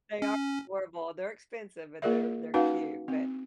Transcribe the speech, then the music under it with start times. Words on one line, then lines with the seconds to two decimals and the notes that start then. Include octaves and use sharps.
They are adorable. They're expensive, but they're they're cute. But,
0.22 C#4
2.02 A#3 F4 G#4 A#4 D5 E5
2.54 C#4 D#4 F#4 B4 F5 F#5
3.08 C4